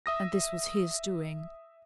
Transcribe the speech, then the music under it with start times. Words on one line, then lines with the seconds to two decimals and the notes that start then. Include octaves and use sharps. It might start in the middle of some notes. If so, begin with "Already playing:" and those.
And this was his doing.
0.06 E5 D#6 A#6